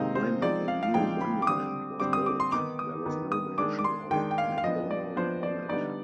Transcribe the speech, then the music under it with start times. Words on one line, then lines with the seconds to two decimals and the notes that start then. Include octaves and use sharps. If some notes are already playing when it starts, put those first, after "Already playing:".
When a new monument was built, there was no mention of Macdonell on it.
Already playing: C3 D#3 G#3 C4 D#4 D#5 F5
0.15 C5
0.41 F3 G#3 C4 D#4 D5
0.68 F5
0.83 F5
0.94 F3 G#3 C4 D#4 G5
1.21 B5
1.42 D6
1.47 D3 G3 C4 D#6
2.00 D3 G3 C4 D6
2.13 D#6
2.26 D6
2.40 C6
2.52 D#3 B3 D#4 D6
2.79 D#6
3.05 D#3 B3 D#4
3.32 D#6
3.58 D#3 G#3 D4 D6
3.79 D6
3.84 C6
4.11 D#3 G#3 D4 G5
4.31 G5
4.38 F5
4.58 F5
4.64 F3 B3 D4 D#5
4.91 D5
5.16 F3 B3 D4 C5
5.43 D5
5.69 D3 G3 B3 D#4 D5